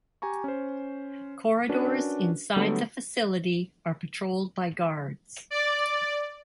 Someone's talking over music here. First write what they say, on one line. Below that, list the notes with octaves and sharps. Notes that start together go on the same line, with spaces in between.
Corridors inside the facility are patrolled by guards.
G4 G#5 A#5 C#6
C#4 C5
C#4 D4 F#4 A#4 B4
D3 F#3 G3 A3 B3
D5